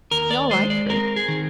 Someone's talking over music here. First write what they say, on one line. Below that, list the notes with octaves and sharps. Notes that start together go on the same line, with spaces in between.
We all like her.
D#2 A#4
D5
G#3 C5
D5
C4 A#4
G#4
D#3